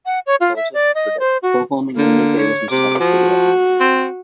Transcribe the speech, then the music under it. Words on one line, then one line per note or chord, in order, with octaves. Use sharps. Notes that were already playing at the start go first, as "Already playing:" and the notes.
A later acronym was also included: Performing Animal Television Star of the Year.
F#5
C#5
F4
E5
D5
D#5
C5
F#4
D3 A#3
C#5
C3 D6
F3 F#4
C4